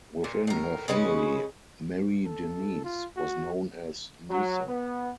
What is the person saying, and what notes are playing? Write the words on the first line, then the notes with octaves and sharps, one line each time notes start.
Within her family, Marie-Denise was known as Nisa.
A#2
A2 A#4
C#3 G#3 C#4 B4
A4
F4
F#4
F#3
B3